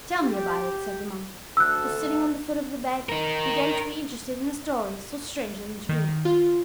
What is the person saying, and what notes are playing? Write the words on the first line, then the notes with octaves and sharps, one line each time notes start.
"Tell me about it," said the monk, who, sitting on the foot of the bed, began to be interested in a story so strangely introduced.
G4
D2 A4 E6 F#6
D#4 A#4
D#3
F4